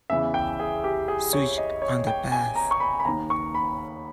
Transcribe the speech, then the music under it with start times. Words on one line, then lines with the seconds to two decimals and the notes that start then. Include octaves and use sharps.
Switch on the bath.
0.10 E2 C#3 E3 E5
0.34 G5
0.60 G#4
0.84 G4
1.08 G#4
1.33 C#5
1.58 D#5
1.82 C#5
2.07 G5
2.32 G#5
2.56 A#5
2.71 C#6
2.80 B5
3.00 B5
3.05 D#2 D#3 A#5
3.30 C#6
3.55 B5